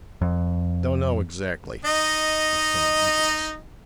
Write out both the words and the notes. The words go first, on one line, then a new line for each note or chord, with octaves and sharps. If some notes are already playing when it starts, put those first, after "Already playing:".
"Don't know, exactly," with some uneasiness.
F2
D#4 D#5